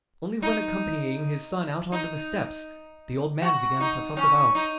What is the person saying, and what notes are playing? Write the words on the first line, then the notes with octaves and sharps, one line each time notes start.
Only when accompanying his son out on to the steps, the old man began to fuss about.
D#4
D#4
F#4
D#4
C#4
D#4